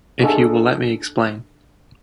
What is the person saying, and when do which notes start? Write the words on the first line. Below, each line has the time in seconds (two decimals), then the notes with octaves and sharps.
If you will let me explain.
0.20 D4 D#4 G#4 A4